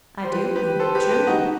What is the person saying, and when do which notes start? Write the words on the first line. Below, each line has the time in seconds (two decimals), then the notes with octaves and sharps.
"I do believe it, truly."
0.24 C5
0.32 G4 B4
0.56 G4 B4
0.79 A4 C5
0.95 G4 B4
1.11 G4 B4
1.27 D#4 F#4